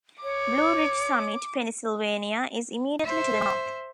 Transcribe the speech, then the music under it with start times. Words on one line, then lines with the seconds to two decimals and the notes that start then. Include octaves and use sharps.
Blue Ridge Summit, Pennsylvania is immediately to the north.
0.23 C#5 D6
3.04 C5 E5